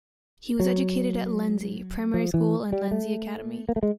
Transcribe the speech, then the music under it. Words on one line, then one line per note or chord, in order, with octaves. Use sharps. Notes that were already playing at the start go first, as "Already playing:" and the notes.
He was educated at Lenzie primary school and Lenzie Academy.
F#3
F3
E3
G3
A3
A#3
A3
G#3